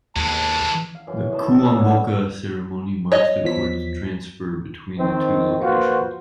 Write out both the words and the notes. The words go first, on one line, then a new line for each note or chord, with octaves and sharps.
The Kuomboka ceremony marks the court's transfer between the two locations.
D#2 E3 G#3 A5
F5
F#2 E3 C#4
G#3 D#5 A5
A4
C#4 D4
F#3 B3 E4
C#5 D#5
E2 F3 B6
D#3 C4
A#3 F4 F#4 B4 C5